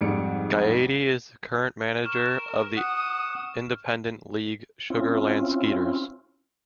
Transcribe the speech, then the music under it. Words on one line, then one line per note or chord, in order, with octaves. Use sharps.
Gaetti is the current manager of the independent league Sugar Land Skeeters.
F2 G#2 G3 C#7 D7
A#4 C#6 F6 E7
F#5 D#6
C4 C#4 E4 F4